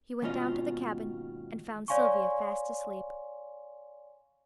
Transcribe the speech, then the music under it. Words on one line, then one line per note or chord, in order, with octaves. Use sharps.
He went down to the cabin, and found Sylvia fast asleep.
D#2 G#2 B2 C#4 F4 D#5
C#5 D5 F5 G#5 C6 C#6